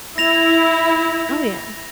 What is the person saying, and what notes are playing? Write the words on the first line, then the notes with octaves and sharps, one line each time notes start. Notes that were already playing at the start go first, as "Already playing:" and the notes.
Oh yeah.
E4 A#6 F7